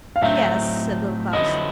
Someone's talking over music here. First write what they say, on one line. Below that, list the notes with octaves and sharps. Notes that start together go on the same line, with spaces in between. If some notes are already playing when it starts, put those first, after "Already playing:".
'Yes,' said Little Klaus.
F5
A2 F#3 A3 C4 D#4 E5
F2 D3 F#3 B3 E4 D#5